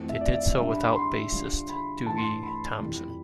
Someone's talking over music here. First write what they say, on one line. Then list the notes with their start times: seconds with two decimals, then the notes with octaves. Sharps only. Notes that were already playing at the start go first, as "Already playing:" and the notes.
They did so without bassist Dougie Thomson.
Already playing: F2 E3 A3 C4
0.09 E5
0.21 D5
0.34 E5
0.46 E5
0.58 D3 G3 D4 E5
0.70 B5
0.83 B5
0.96 C6
1.32 D3 G3 D4 F4
1.69 B5
2.06 G2 E3 A3 A5
2.18 C6
2.43 B5
2.80 F2 E3 G3